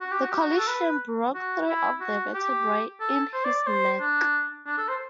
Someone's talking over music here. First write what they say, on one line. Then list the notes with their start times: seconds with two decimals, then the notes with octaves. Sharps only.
The collision broke three of the vertebrae in his neck.
0.01 F#4
0.11 G4
0.22 F#4
0.31 G4
0.41 F#4
0.58 A4
0.68 B4
1.35 F#4
1.68 E4
2.01 F#4
2.34 G4
3.00 A4
3.34 C5
3.45 D5
3.56 D5
3.67 C5
4.00 D4
4.66 D4
4.78 A4
4.88 C5